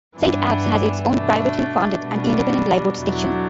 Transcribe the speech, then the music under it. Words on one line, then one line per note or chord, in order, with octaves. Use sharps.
Saint Abbs has its own privately funded and independent Lifeboat Station.
G2 E3 B3 D4
B2 A3 D4
B2 G3 B3 D4
E2 B2 F#3 A3 D4